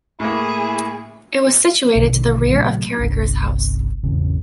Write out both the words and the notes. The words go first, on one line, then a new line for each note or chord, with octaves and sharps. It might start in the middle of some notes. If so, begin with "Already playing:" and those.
It was situated to the rear of Carragher's house.
A2 A#3 E4 G#4
A#1 B2 D3 D#3
A#2 C#3 F#3 A3
G1 C2 D4
G#1 E2 C#3